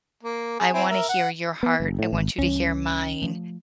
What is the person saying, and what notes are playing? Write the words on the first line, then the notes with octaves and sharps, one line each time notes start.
I wanna hear your heart, I want you to hear mine,
A#3
G#4
C4 E4 G#5
A#4 E5
F#5
B3
F#1
A2
G#1
C#2 E3 G3 C#4
F3 A3